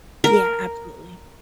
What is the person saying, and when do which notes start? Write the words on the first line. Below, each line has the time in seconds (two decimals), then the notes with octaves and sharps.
Yeah, absolutely.
0.24 A#4